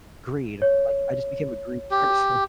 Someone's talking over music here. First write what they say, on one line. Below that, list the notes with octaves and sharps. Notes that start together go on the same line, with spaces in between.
greed, like, I just became a greedy person,
C#5
G4